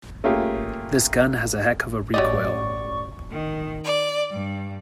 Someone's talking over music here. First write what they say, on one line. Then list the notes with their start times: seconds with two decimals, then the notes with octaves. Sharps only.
This gun has a heck of a recoil.
0.24 A3 A#3 C#4 F4 G4 G#4
2.14 A1 F#3 G4 D5 D#5 C#6
3.32 D#3
3.84 D5
4.31 G2